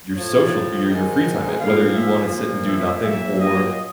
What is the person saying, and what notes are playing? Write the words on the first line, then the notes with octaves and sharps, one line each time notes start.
your social your your free time it whether you wanna sit and do nothing or,
A2 F3 C#5
G#2 D#3 F#3
A#2 F3 F5
E5
A#2 F3
E5
A#2 F#3 E5
D#5